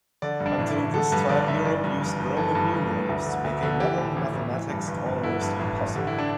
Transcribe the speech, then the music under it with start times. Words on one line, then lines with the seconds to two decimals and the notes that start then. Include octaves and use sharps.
Until this time Europe used Roman Numerals, making modern mathematics almost impossible.
0.22 D3 D5
0.40 G2
0.46 D4
0.58 A1
0.70 E4
0.76 A1
0.94 D3 A4
1.12 G2 B4
1.29 G1 D5
1.48 G1 E5
1.65 E3 D5
1.84 G2
2.01 G1
2.19 G1
2.37 E3 A4
2.55 G2
2.73 G1
2.91 G1
3.09 D2
3.26 D3
3.44 D2
3.63 D3
3.80 E3 G4
3.98 A2
4.16 A1
4.34 A1
4.52 E3
4.70 G2
4.87 G1
5.06 G1
5.23 D3 E4
5.41 G2
5.59 A1
5.77 A1
5.95 D3 G4
6.07 E4
6.19 D4